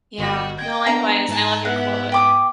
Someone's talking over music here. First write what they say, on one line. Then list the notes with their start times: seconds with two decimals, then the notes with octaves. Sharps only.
Yeah, no, likewise, and I love your quote.
0.18 G1 F#4 D#5 A#6
0.58 D#5 G5 G6 G#6
0.86 B3 D4 A#5
1.28 G#2 G#5 A5
1.65 B3 E4 F#5
2.12 G5 D6 D#6